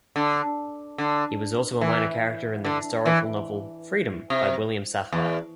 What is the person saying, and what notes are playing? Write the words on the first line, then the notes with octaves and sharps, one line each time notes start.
He was also a minor character in the historical novel "Freedom" by William Safire.
D3
D3
E3
D3
E3
C3
E2